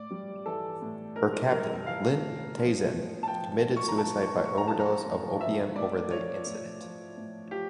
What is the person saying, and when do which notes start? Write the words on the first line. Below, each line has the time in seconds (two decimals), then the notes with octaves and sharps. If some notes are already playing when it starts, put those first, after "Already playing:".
Her captain, Lin Taizeng, committed suicide by overdose of opium over the incident.
Already playing: A2 D5
0.11 G3
0.46 E3 A4
0.82 A2
1.16 A2 A#4
1.34 A#4
1.51 G3 A#4
1.87 E3 F5
2.22 A2
2.58 F3
2.93 A2
3.23 A5
3.28 F3 G5
3.64 A2
3.77 C#6
3.88 A#5
3.98 F3 A5
4.23 C#6
4.34 A2
4.45 C#6
4.58 A#5
4.68 F3 A5
4.79 A#5
5.05 A2
5.39 F3 E5
5.75 A2 D5
6.11 F3 C#5
6.46 A2
6.81 F3
7.17 A2
7.51 F3 G4